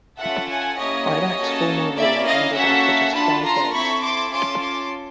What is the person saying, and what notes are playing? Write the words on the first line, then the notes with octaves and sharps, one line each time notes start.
Aybak's formal rule ended after just five days.
C#4 F4 A4 E5 F#5
F#5 G#5
A#3 C#4 E4 G4 C#5 D#5
A#3 C#4 F#4 A4
A#3 C#4 E4 D5 E5
D#5 F5
A#3 C#4 F#4 A4 E5 F#5
D4 F4 A4 A5 B5
A#5 C6
C4 E4 A4 B5 C#6
C6 D6
C#4 F4 A4 C6 D6
C6 D6